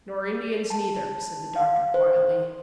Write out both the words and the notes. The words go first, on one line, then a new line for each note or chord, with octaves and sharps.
"Nor Indians neither," said the doctor quietly.
A5
F5
C5